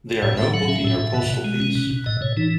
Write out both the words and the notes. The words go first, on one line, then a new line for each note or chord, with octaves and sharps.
There are no booking or postal fees.
A2 C#5
A2 E5
F#3 F#5
C#4 E5
A2
A2
B2
B2
G#3
C#4
B2
B2
A2 D#5
A2 C#5
E3 D#4